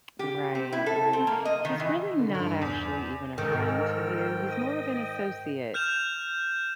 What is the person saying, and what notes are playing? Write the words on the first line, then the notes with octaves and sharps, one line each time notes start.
Right. Right. He's really not actually even a friend to you. He's more of an associate,
G4
C4
E4
A4
C4
A#3
D#5
D#3
E3
D3
G2
E2
G#2 D#3 A4 A#4 G5
D#5
F6 G6 E7 F7